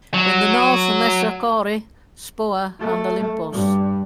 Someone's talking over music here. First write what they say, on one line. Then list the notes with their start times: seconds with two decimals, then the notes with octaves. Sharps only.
In the north Mesochori, Spoa and Olympos.
0.14 F#3
2.80 A3
3.52 G2